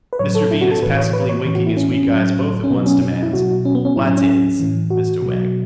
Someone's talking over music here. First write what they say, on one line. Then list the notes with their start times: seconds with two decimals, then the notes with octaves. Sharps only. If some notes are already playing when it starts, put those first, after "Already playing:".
Mr Venus, passively winking his weak eyes both at once, demands: 'What is, Mr Wegg?'
0.13 B4
0.19 A2 F#3 C#5
0.35 A4
0.51 E4
0.61 F#4
0.71 A4
0.82 A2 E3 B4
0.98 C#5
1.13 B4
1.29 C#5
1.45 A2 E3
1.55 F#4
1.66 E4
1.77 C#4
1.91 C#4
2.08 A2 F#3
2.64 C#4
2.70 B2 F#3 B3
2.86 C#4
3.02 C#4
3.13 C#4
3.23 E4
3.33 B2 F#3 F#4
3.65 C#4
3.75 B3
3.85 C#4
3.96 A2 F#3 E4
4.07 C#4
4.17 C#4
4.60 A2 E3
4.90 F#4
5.22 B2 F#3